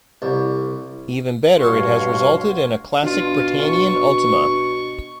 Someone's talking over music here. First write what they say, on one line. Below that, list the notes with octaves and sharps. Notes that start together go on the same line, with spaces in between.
Even better, it has resulted in a classic Britannian Ultima.
C2
G2 B2 F#4 C#5 F5 C6
B2 D4 F4
C#6